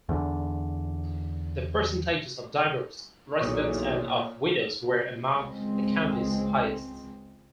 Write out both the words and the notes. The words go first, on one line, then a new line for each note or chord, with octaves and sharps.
The percentages of divorced residents and of widows were among the county's highest.
E2 D3
B1 E2 A#2 C#5 C#6 D#6
C#2 G#3 C4